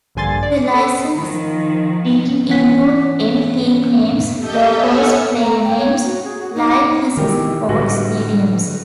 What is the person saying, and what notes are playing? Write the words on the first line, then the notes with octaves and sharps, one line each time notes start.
The licence didn't include any team names, logos, player names, likenesses or stadiums.
A#1 G2 D3 G#5 C6 A6
D5
A4
D#3 F3
E3 C#4 C#5 F#5 B6
G4 A4 D#5 E5 G5
A4 C#5 E5 F#5 G#5 F6
A#5
G5
C#5
F#4
G#4
F#4
D#4
B2 D#3 E3 G4 A#4
A2 D3 G3 F#4 B4